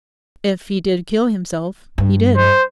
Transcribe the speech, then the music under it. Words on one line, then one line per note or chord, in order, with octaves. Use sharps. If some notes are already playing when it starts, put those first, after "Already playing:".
If he did kill himself, he did.'
G2
C5